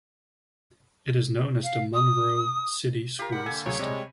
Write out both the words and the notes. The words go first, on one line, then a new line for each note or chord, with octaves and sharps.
It is known as the Monroe City School System.
F5
D#6
F4 G4 A#4
D3 D#3 F#5 B5
D3 A#3 A4 G#5
D2 F#3 G#4 C#5
C3 G3 G#3